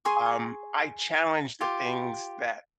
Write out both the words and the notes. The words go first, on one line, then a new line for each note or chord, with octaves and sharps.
um, I challenge the things that
G#4 G#5 C6 C#6
F4 G4